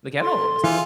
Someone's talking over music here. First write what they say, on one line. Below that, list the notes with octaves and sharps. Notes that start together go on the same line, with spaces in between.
The camo almost did.
A4 C6
E3 F4 G#4